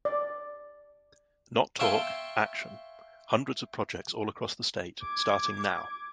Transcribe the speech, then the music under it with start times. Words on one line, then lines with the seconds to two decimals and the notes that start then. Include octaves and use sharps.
Not talk, action. Hundreds of projects all across the state, starting now.
0.05 D5
1.79 C#5 E5 F5 G5 A5 C6
5.02 D6 G#6